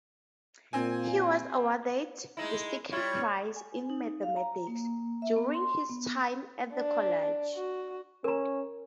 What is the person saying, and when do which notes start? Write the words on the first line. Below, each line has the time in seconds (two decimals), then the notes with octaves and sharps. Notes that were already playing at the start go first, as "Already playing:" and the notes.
He was awarded the second prize in mathematics during his time at the college.
0.73 A#2 C4 G#5
2.37 G#3 D#4 E4
2.92 G3 E4 F4 C#5
3.56 G#5
3.90 D#4
4.23 F5
4.36 A#5
4.67 A#3
5.22 E5
5.36 B3
5.54 C6
5.89 B3
6.74 D4
7.54 F#4
8.24 C#4 A#4 A#5